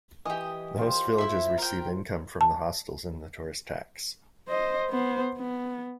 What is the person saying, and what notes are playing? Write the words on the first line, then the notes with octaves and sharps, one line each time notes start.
The host villages receive income from the hostels and the tourist tax.
E3 G4 D#5
F4 C5
E4 E5
A#4 G5
A5
C5 D#5
B3 C5
B3